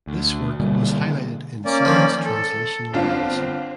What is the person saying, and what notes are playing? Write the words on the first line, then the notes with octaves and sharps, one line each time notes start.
This work was highlighted in "Science Translational Medicine".
D2
B2 D3 G3 A#3
A#3 C#4 D5
D#3 F3
A4
G1 C4 D4 F4